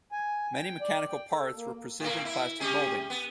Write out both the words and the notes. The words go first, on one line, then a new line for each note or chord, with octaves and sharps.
Many mechanical parts were precision plastic moldings.
G#5
G5
D5
G5
A4
A#3
A2 A#3
E4
G3 C#4 G#4
B3